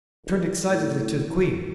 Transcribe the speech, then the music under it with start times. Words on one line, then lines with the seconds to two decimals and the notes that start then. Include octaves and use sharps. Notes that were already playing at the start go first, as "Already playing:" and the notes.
He turned excitedly to the Queen.
0.24 D#1
0.69 A2
1.29 E3